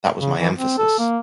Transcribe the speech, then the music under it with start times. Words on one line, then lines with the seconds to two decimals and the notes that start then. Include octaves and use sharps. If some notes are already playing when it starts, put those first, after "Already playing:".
That was my emphasis.
0.21 C#3
0.40 E3
0.56 C4
0.78 A4
0.99 A#3